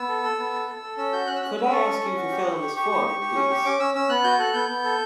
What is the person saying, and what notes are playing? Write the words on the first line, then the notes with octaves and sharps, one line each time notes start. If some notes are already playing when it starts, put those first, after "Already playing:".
Could I ask you to fill in this form, please?
Already playing: B3 E6
A4
A4
B3
A4
A4
A4
C#4 E6
F#4 G6
C#4 F#6
E6
C#4 F#6
C#4 E6
A4 C#6
C#4
C#4
F#4
G4
G4
G4
G4 C#6
G4
G4
G4
C#4
G4
C#4 D6
C#4 E6
C#4 E6
B3 F#6
F#4 G6
A4 F#6
B3 G6
B3
A4